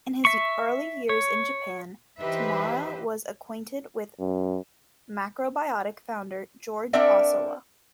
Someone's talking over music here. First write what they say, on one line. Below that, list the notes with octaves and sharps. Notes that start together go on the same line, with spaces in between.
In his early years in Japan, Tamura was acquainted with macrobiotic founder George Osawa.
E5 C#6
C#5
E3 D#4 G4 B4 C5 E5
F#2
C4 D4 A#4 D5 E5 F#5